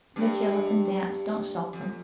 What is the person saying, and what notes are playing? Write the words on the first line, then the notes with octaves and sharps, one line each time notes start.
Mitya, let them dance, don't stop them.
G2
F2